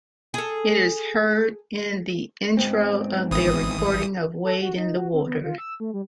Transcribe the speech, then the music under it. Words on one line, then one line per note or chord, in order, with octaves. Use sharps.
It is heard in the intro of their recording of "Wade in the Water".
G#4 A4
G#2 B3 C4
G#1 E3 D#6
A4
F#4
D#4
F#4
C4
B3
F4
E6
A3
G3